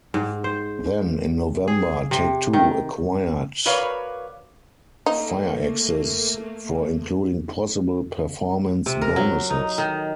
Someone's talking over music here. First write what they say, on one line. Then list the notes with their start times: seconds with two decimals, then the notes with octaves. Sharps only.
Then in November, Take-Two acquired Firaxis for including possible performance bonuses.
0.14 G#2
0.44 C5
1.68 G#4
2.11 C3
2.53 D#3
3.65 F#4 A#4 B4 C#5 D5 F5
5.06 A3 A#3 D#4
8.86 C3
9.02 A#4
9.16 F#3
9.50 D#4
9.78 D#3